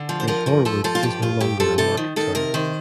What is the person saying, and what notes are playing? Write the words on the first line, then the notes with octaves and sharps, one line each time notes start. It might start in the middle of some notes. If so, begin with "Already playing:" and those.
Great Horwood is no longer a market town.
Already playing: D3
F3
C5
F3 A#4
G2 A#4
F3 A4
F3 A4
F4
G2 G4
G2 F4
G2 G4
F3 A4
C3 A4
D#3
D#3 A4
C3 A#4
D#3 C5